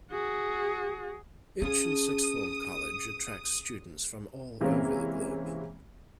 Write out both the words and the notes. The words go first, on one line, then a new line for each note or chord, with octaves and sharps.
Itchen Sixth Form College attracts students from all over the globe.
F#4 G#4
C#4 G#4 F5 A5 D#6
C3 E3 G#3 A#3 C4 C#4